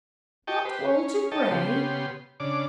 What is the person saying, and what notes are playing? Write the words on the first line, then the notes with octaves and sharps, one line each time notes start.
'Not Walter Bray!
G4 D#5 G5 A5 C#6
G4 B4 C5
C#4
A4 C#5 D#5 G5 A5
C#3 B3 G4 C6
C#3 D4 D6